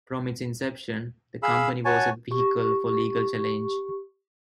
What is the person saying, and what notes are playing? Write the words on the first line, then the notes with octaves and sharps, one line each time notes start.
From its inception, the Company was a vehicle for legal challenge.
G#4 F5 B5 E6
F#4 C#5 G#5 A5
G4 C#6